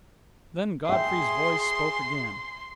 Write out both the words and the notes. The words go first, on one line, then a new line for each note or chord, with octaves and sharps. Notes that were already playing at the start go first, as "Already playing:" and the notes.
Then Godfrey's voice spoke again.
G#4 E5 G5 C6